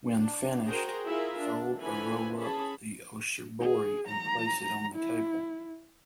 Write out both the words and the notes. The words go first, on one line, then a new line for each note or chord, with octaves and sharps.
When finished, fold or roll up the oshibori and place it on the table.
D4
F#4 G#4 A#4 C5 G5 A#5
E4 F4 G#4 A#4 E5
D4
D3 E3 F3 A3 G#5 B5
C#4 G#4 A5 B5
G#4
A#5
E4